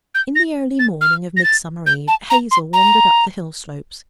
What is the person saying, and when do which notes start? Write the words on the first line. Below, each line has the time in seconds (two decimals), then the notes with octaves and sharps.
In the early morning of Midsummer Eve, Hazel wandered up the hill-slopes.
0.15 G6
0.36 A#6
0.79 A6
1.01 F6
1.37 A#6
1.44 A6
1.87 G6
2.08 A5
2.30 A#5
2.51 C6
2.73 A#5